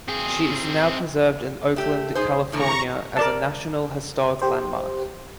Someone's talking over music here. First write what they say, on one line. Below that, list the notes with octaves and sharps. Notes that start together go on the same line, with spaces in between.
She is now preserved in Oakland, California, as a National Historic Landmark.
C4 G#4
A3 G4
D#4 G#4 C5
E2 A2 D3 A#5 C#6
A#4 D5 A5
G4 C5